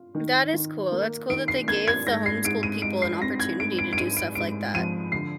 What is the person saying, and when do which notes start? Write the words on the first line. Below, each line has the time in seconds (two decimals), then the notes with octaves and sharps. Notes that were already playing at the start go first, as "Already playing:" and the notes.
That is cool. That's cool that they gave the homeschooled people an opportunity to do stuff like that.
Already playing: F4
0.15 D#3
0.53 D#3
0.92 A#3
1.29 D#3 D7
1.48 C7
1.68 A#3 G#6
1.88 G#6
2.06 G#2 A#6
2.26 C7
2.44 G#2 D7
2.63 D#7
2.82 D#4 D7
3.02 C7
3.21 C4 A#6
3.40 G#6
3.59 G#2 D7
3.79 D7
3.93 D7
3.98 G#2 D#7
4.17 D7
4.35 G#2 D7
4.74 F3 D#7
5.12 D3 C7